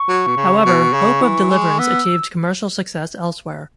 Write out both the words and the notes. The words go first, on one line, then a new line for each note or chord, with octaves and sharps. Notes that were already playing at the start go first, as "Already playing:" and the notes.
However, "Hope of Deliverance" achieved commercial success elsewhere.
Already playing: C#6
F#3
B2
C#3
B2
C#3
E3
G#3
B3 E6